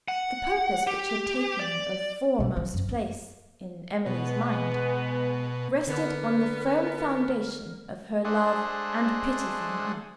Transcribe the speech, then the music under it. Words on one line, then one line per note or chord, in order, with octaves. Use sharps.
The purpose which had taken a foremost place in Emily's mind rested on the firm foundation of her love and pity for her aunt.
F#5
G4
D5
B2 C#4
D#3 F#3
F#2
F#2
B2 G#3 B3
D3 B3 A#4
G#3 A3 D4 G#4 C5 F#5